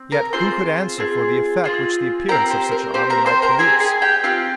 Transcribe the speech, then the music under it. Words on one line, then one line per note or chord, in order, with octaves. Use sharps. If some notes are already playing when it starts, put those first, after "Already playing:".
Yet who could answer for the effect which the appearance of such an army might produce?
Already playing: C4
A#4 A#5
C4 F4 G#4 C5 C6
C4 F4 G#4
C4 F4 G#4
C4 G4 A#4 A#5
C5
A#4
C4 G4 C5
A#4 A#5
C5 C6
A#4 A#5
C4 G4 G#4 G#5
G#4 G#5
G4 G5
C4 F4 G4 F5